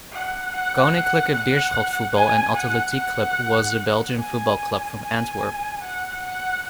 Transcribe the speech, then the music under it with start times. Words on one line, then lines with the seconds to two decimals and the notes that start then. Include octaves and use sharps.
Koninklijke Beerschot Voetbal en Atletiek Club was a Belgian football club from Antwerp.
0.12 F#5
0.52 F#5
0.93 F#5
1.34 F#5
2.15 G#5
2.56 F#5
2.96 F#5
4.19 G#5
5.00 G#5
5.81 F#5
6.22 F#5